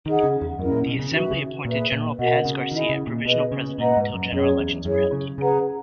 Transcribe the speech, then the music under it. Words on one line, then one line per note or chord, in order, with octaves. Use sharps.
The Assembly appointed General Paz Garcia provisional president until general elections were held.
D#3 D#4 G#4 D#5 F#5
C#3
E2
F#2 C#4 E4 A#4
A#2
B2
C#3
D#3 F#4 B4 E5
C#3
A#2 G#4 B4 E5
A#2
B2 F#4 A#4 D#5 F#5
C#3
D#3 E4 G#4 D#5 G#5
C#3
A#2
B2 G#4 B4 D#5
C#3
A#2 B4 D#5 F#5 A#5
G#2
F#2
F#2 C#4 G#4 C#5 G#5
E2
F#2 E4 G#4 C#5
C#3
C#3 G#4 B4 F#5 A#5